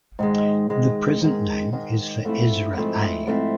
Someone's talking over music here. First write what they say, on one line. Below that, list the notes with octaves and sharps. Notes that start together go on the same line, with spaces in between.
The present name is for Ezra A.
G#2 D#3 G#3
G#2 D#3 G#3
G#2 D#3 G#3
G#2 D#3 G#3
G#2 F3 A3 C4 E4
G#2 F3 A3 C4 E4
G#2 F3 A3 C4 E4